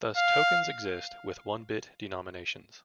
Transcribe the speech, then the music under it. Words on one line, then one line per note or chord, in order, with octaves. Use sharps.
Thus tokens exist with one-bit denominations.
F5